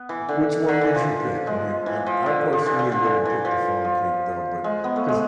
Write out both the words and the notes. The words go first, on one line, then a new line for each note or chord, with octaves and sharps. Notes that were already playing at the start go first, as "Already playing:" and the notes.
W which one would you pick, right? I I personally would've picked the funnel cake though, but 'cause
Already playing: B3
E3
D3
D3
E3
F3
G#3
E3
F3
D3
F3
E3
F3
D3
E3
E3
F3
F3
G#3
B3
A3
G#3